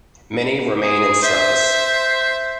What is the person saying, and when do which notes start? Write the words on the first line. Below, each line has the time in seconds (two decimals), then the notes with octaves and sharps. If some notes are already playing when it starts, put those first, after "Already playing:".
Many remain in service.
0.83 G#4
1.22 C5 E5